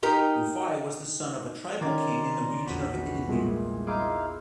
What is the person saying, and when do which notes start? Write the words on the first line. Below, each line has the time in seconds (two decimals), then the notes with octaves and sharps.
Rufai was the son of a tribal king in the region of Idimu.
0.03 D#4 G4 A#4
1.81 D#3 C#4 D5 A#5 C6 D6 G#6 A6
2.66 A#1 E2 F#4 B5
3.28 C2 A#2 G#3
3.87 D#4 E4 G#4 F5 C6 D6